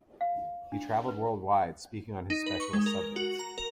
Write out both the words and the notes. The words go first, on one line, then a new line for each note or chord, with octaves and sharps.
He traveled worldwide, speaking on his specialist subjects.
F5
D4
B4
D#4
B4
C#6
G#3
A#4
F#4
A#5
A#4